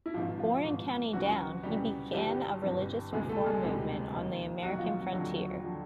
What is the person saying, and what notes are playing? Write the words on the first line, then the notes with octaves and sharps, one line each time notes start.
Born in County Down, he began a religious reform movement on the American frontier.
E4
G#1 G#2 E3 F3 F4
F3 F4
G#1 G#2 E3
D2 C#3 E3 F#3 F#4
D2 C#3 E3 G3 G4
G1 G2 E3 G3 G4
G1 G2 E3
D2 C3 E3 G#3 G#4
A3 A4
G#3 G#4
D2 C3 E3 G3 G4
D#2 D#3
D#2 D#3 F#3 F#4
F3 F4
D#2 D3 F3 F#3 F#4
D3 F3